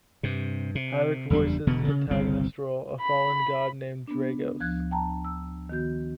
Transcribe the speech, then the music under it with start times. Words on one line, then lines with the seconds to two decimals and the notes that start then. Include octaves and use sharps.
Havok voices the antagonist role, a fallen god named Dragos.
0.23 G2 C3
0.75 C3
1.30 F#1 E2 G3 D4
1.67 E1 B2 D3 B3
1.88 C#3
2.11 G1 C2 C4
3.01 B5
4.07 B3 D4
4.60 D2 F3 F#6 G#6
4.91 G5 A5 A#5
5.25 E6
5.69 D#3 B3 F#4 G6